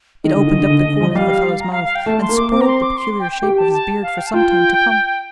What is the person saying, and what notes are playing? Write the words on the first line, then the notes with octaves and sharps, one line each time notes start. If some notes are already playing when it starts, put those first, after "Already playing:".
It opened up the corners of the fellow's mouth, and spoilt the peculiar shape of his beard for some time to come.
D#3 D#5
D3
D#3
D3
D3
D3
F3
G3 F5
A#5
F5
F5
G5
A3 A5
C6
A#3
D6
C4 D6
A#5
C6
D6
C6
G5
G5
G4 G5
A5
A5
F5
G5
A5
F4 G5